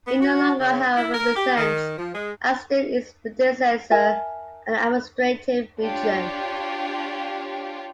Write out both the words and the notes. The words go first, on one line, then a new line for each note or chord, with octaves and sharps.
It no longer however represents, as did its predecessor, an administrative region.
B3
F#4
C#3
E4
A#4
G4
D#3
F3
G#3
A#4 E5 G#5 A5
D4 F4 G4 C#5